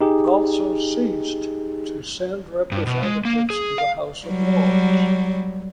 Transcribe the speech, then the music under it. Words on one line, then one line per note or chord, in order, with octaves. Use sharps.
It also ceased to send representatives to the House of Lords.
D#4 G4 G#4
G2
B2
G#3
A#3
G#4
F5
F#3 G3